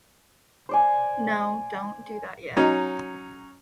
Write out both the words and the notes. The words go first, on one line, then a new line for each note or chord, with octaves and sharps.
No, don't do that yet.
C5 D5 G#5
F#3 C#4 D#4